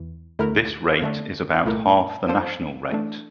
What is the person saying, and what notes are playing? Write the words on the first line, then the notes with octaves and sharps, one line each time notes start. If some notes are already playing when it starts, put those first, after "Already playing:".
This rate is about half the national rate.
Already playing: E2 E3
D2 D3 A3 E4 A#4
D3 A3 D4
C2 A#2 A3 E4 A#4
F3 A#3 D4 A4 C5
E3 A3 D4